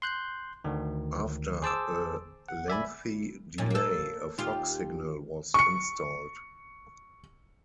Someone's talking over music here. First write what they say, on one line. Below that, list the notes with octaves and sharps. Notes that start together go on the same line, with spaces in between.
After a lengthy delay, a fog signal was installed.
C6 F#6 G6
D2 D#3
G#4 C5 A5 D6 E6
F#5
D5 E5 G#5 B5
D#2 A#2 C#4
A#3 A4
D#2 F4 G4
C#6 C#7